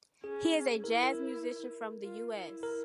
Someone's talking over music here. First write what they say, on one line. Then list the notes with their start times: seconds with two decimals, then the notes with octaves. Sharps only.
He is a jazz musician from the US.
0.24 C#4 G#4
0.83 E4 A#4
1.03 A#4
2.03 F4
2.33 E4
2.63 A#4